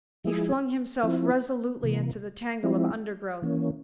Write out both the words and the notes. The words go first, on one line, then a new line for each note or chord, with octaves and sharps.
He flung himself resolutely into the tangle of undergrowth.
F3 G#3 E4 G#4
F3 C4 E4
C3 E3 A#3
F3 G#3 C4 E4
E3 A#3 C#4